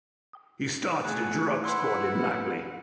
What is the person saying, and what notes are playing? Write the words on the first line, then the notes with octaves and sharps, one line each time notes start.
He started a drug squad in Langley.
A3 B3 G#4 F#5
E4 B4 F#5 C6